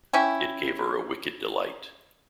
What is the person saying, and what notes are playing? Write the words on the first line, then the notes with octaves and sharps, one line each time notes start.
It gave her a wicked delight.
C#4 E4 G5